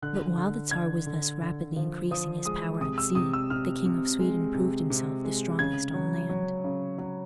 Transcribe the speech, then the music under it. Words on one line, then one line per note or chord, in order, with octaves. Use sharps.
But, while the Czar was thus rapidly increasing his power at sea, the King of Sweden proved himself the strongest on land.
D3 F#6
D3
D3 G#6
D3
D3
F3
F3 D#6
G#3 D#6
C3 D#6
E6
C3 D#6
E6
C3 F6
C3
G#3
C3
C3
G#3
C#3 G#6
F#3
F#3
C#3
F#3